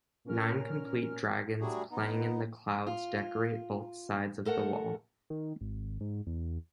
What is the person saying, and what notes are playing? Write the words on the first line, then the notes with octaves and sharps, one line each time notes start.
Nine complete dragons playing in the clouds decorate both sides of the wall.
A#2 C#4 A#4 F6
F#3 G3 A3 D4 F#4 G#4
B3 D#4
F4
A3 A4 A#4 F#5 A5
D#3
G#1
G#2
E2